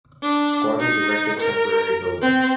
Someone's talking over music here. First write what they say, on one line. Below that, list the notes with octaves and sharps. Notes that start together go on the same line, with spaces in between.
Squatters erected temporary buildings.
D4
D#4
A#4
C4